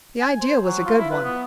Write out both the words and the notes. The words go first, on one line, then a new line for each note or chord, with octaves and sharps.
The idea was a good one.
G#5
C5
F#3
F4
E4
B4
B3